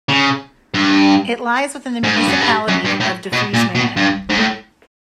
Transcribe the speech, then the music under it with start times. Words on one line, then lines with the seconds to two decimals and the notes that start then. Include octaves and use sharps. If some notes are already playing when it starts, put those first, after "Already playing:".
It lies within the municipality of De Friese Meren.
0.09 C#3
0.74 G2
2.04 G#2
2.16 G2
2.28 F#2
2.41 G2
2.68 F#2
2.85 G2
3.00 A2
3.32 B2
3.54 A#2
3.75 B2
3.97 G2
4.29 G#2
4.37 A2